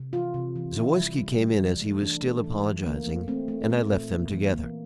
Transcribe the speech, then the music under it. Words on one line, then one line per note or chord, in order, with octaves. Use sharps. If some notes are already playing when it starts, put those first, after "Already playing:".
Zawoiski came in as he was still apologizing, and I left them together.
Already playing: C3
E3 F4
C3
E3
E3 E4
G3
G3
G3
E3
A3
E3 D4
A3
E3
E3
A3 A#3
A3
A3 C4
A3
A3
A#2
A#3
E3
A#3